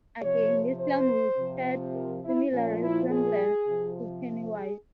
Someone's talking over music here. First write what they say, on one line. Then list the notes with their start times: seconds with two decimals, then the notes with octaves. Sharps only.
Again this clown would shared similar resemblance to Pennywise.
0.22 C3 F3 C#5
0.79 C5
1.37 C3 F3
1.95 A#4
2.24 E4
2.52 A#2 F3 C#4
2.81 E4
3.10 G#4
3.67 C3 F3
4.53 G#4